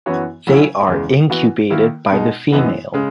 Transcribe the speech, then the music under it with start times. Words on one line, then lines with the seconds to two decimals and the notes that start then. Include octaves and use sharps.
They are incubated by the female.
0.06 F#2 E3 B3 F#4 C#5
0.47 C#3 F#3 C#4 E4
0.89 E2 C#3 G#3
1.30 E3 B3 F#4
1.70 D#3 A#3 E4 A#4
2.12 B2 G#3 D#4
2.52 F#2 E3 B3 D#4
2.94 C#3 G#3